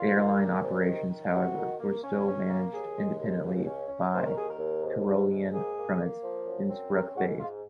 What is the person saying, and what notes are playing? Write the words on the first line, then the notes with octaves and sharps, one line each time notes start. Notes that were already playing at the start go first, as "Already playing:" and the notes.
Airline operations, however, were still managed independently by Tyrolean from its Innsbruck base.
Already playing: A#2 F4
A#3
A#2
C3
D#3
D#3
C3 F#4
D#3
A#3
C#4
C#4
A#3
D#2 G#4
G#3
D#2
C#2
C#4
C#4
D#3 C5
A#4
D#2 G#4
A#4
D#2
G#2
G#2
G#2
A#3 G#4
A#3
A#3
F3
F#2
C4
C#4 A#4
G#2 F#4
G#2 F4